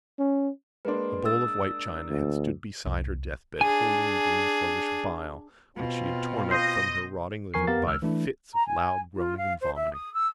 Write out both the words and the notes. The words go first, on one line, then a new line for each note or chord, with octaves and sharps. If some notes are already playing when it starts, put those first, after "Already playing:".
A bowl of white china had stood beside her deathbed holding the green sluggish bile which she had torn up from her rotting liver by fits of loud groaning vomiting.
C#4
G#3 A#3 D4 B4 C6
D#6 E6 A6
D2
C2
D4 G#4 G#5
B2 C4 F4
D#5 C6 G6 C7
E2 F3 A#4 G#5 C#6 C7
F2 B3 G4 A#4 F5 A6
C#2 E6 F6
E3 A3 D4 E4
A#5
G#5
F4
F5
C5
E5
D#6
E6